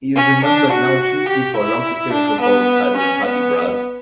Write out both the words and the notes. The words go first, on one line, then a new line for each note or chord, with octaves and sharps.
He is remembered now chiefly for a long satirical poem titled "Hudibras".
C#4
D4
F#4
G4
E4
D4
B3
C#4
B3